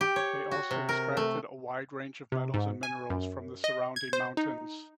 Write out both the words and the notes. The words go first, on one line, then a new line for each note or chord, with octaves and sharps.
They also extracted a wide range of metals and minerals from the surrounding mountains.
G4
C#5
F#4
C3
A#4
A3
C3
G#2
G#5
F#2
D#5
G#6
C5
D#4